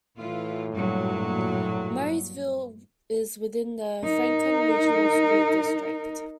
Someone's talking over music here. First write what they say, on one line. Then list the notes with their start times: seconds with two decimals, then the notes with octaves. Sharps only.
Murrysville is within the Franklin Regional School District.
0.17 A2 E3 F4
0.72 G2 A#2 F#3
4.04 D#4 A#4